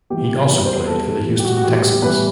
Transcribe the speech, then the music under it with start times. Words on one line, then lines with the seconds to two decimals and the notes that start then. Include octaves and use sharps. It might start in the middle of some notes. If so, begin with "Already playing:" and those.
He also played for the Houston Texans.
0.10 E3 G3 B3 G4
0.48 E3 G3 B3
0.66 C5
0.77 B4
0.87 E3 G3 B3 A4
1.07 A4
1.25 E3 G3 B3
1.39 G4
1.45 F#4
1.57 F#4
1.64 A2 E3 G3 B3 G4
1.83 G4
2.02 A2 E3 G3 B3 B4